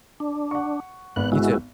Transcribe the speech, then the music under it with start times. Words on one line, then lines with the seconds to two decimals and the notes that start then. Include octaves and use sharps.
You too.
0.20 D4
0.51 F#5 C#6
1.16 G#1 B3 F#6
1.32 G#3 E4 F#4